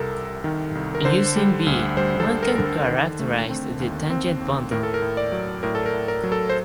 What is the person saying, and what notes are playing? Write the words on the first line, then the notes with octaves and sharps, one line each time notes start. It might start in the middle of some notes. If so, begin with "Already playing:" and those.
Using "V" one can characterize the tangent bundle.
Already playing: C2 C3 A4 A#4
C2
D#3
C2
A#4
D3 C5
G3
D2
G3 C5
A4
D3
A#4
D3 A#4
A4
D#3
A3
C4
D#2
C4
D#2
A2 A#4
A4
A#4
A2
D5
F#3
A2 A#4
A4
A#4
A2
A#4
F#3
A4
C5